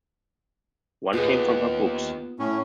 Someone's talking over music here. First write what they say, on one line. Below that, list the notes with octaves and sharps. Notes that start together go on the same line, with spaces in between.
One came from her books.
D#2 B3 F4 G#4
A2 C#4